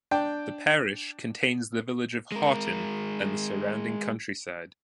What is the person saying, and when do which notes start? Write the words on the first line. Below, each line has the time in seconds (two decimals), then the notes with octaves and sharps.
The parish contains the village of Haughton and the surrounding countryside.
0.11 D4 G5
2.32 G#3 A#4